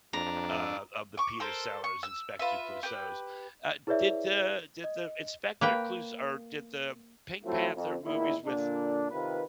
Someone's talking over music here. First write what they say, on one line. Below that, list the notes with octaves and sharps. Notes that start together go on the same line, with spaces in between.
uh, of the Peter Sellers, Inspector Clouseaus. Uh, did the did the Inspector Clous or did the Pink Panther movies with,
F2 D4 A#5
C#6 D6
A4 A#4 C5
C#6
E6
F4 B4 E5
G4 B4
E4 G#4 B4 C#5 D5 E5
D#5
A#3 B4 G5
F3 F#3 A3 C4 E4 F4
F2
E2 A#2 D#3 E4
A#2 D3 D4
C3 D#3 F4 B4